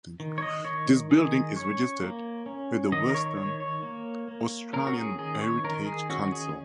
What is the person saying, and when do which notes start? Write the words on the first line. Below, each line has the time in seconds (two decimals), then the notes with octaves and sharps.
The building is registered with the Western Australian Heritage Council.
0.20 D#3
0.38 C#5
0.42 D#5
0.65 D#3 C#5
1.10 D#3 G#4
1.56 C#4 C#5
2.02 A#3
2.46 C#4
2.92 D#3 D#5
3.10 A#4
3.14 C#5
3.37 D#3 C#5
3.60 C#5
3.82 A#3
4.28 A#3
4.73 C#4 A#4
4.87 F#4
4.96 G#4
5.18 D#3 G#4
5.41 C#5
5.64 D#3 A#4
5.86 G#4
6.10 C#4 F#4
6.32 G#4